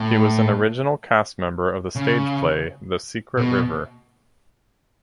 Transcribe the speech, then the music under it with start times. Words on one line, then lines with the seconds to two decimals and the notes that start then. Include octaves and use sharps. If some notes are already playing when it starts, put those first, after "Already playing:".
He was an original cast member of the stage play "The Secret River".
Already playing: A2
1.96 C#3
3.37 B2